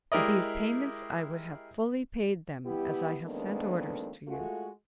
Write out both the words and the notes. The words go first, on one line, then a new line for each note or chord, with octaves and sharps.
And these payments I would have fully paid them, as I have sent orders to you.
G#3 E4 G4 A#4 D5 D#5
E3 G3 B3 E4 G4
F2 D#3 G#3 A#3 B3 D4
G#3 A3 F4 F#4